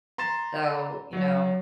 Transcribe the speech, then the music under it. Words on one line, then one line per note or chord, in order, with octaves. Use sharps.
So, you know
A#5 C6 A6 E7
F#3 C#5